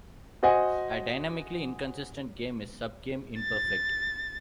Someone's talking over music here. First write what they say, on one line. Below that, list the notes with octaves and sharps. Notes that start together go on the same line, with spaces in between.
A dynamically inconsistent game is subgame imperfect.
F#4 C5 D#5 F#5 G#5
A6